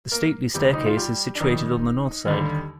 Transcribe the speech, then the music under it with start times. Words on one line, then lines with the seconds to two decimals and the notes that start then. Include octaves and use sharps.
The stately staircase is situated on the north side.
0.12 A#3 A#4
0.54 D2 C3 G3 G4
0.73 D#4
0.85 F4
0.97 G3 G4
1.35 D4
1.40 F2 D#3 G3 D#4
2.25 D#2 D3 G3